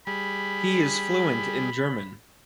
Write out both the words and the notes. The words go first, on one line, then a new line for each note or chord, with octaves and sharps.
He is fluent in German.
G3 G#4 B5